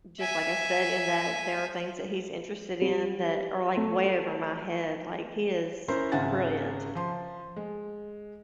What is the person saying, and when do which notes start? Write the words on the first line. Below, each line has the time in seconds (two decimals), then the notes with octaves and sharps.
just like I said, in that there are things that he's interested in that are, like, way over my head, like, he is brilliant,
0.20 E5 G#5
2.82 G3
3.77 A3
5.88 C#4 E4 A#4 C5
6.12 G#1 C#3 E5 F#5 G#5 A6
6.95 F3 C6
7.56 G#3